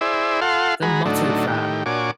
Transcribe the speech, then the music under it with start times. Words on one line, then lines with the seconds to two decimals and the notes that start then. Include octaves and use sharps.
The motto Fram!
0.01 E4 G#4 C5 D5 E5
0.41 F4 A4 F5 F#5 C6
0.82 G#3 F#4 G#4 A#5 B5
1.05 A2 D3 F#3 A3 D4 D#4
1.47 A2 D#3 G4
1.86 A#2 D4 F#4 C#5 G#5 D6